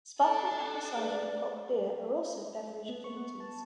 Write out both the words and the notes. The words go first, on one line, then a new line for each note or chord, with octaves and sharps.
Sparkling apple cider and Bock beer are also beverage affinities.
D4 A4
G#4 B4 D5
B3
C#6
B3
A5